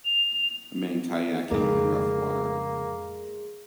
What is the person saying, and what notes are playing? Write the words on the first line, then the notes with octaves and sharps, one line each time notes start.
A man kiyaking in rough water.
F7
F2 A2 C#3 G#3 A#3